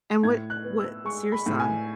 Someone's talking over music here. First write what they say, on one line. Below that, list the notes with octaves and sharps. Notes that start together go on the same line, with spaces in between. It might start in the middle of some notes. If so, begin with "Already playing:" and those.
And what what's your song?
A2 G#6
F#6
B3
E6
G#3 C#6
B5
A2
G#5